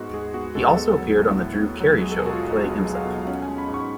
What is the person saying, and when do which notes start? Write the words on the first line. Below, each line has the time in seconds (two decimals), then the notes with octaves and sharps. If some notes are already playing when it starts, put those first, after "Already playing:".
He also appeared on "The Drew Carey Show," playing himself.
Already playing: G#2 G#3 B3 F#4
0.13 G#2 G#4
0.34 B3 F#4
0.55 G#3 A4
0.76 B3 A4
0.97 F#3
1.18 A2
1.39 A2
1.60 B3
1.80 F#3
2.01 G#3 G#4
2.11 A4
2.19 G#4
2.22 B2 F#4
2.33 F4
2.43 B1
2.64 B3 F#4
2.85 G#3
2.95 F5
3.05 B2
3.27 C#4 F#5
3.42 G#5
3.48 G#3
3.58 B5
3.68 G#2
3.74 C#6